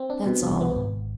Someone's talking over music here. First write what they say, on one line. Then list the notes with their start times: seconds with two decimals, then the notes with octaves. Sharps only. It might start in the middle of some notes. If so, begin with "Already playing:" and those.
That's all.
Already playing: C4
0.10 D4
0.26 B2
0.43 C2
0.61 B3
0.76 G#1